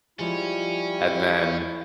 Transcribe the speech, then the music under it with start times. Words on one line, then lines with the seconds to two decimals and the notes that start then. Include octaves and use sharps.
and then
0.19 F3 G3 G#3 C#4 E4 F4